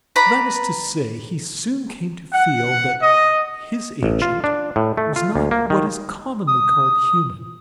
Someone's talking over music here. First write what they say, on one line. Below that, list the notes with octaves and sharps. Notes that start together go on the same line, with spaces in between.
That is to say, he soon came to feel that his agent was not what is commonly called human.
B4 D5 A#5 B5
F#5
D#5
A1
F4
D4
A2
A3
F4
D2
A#3
D#3
D#6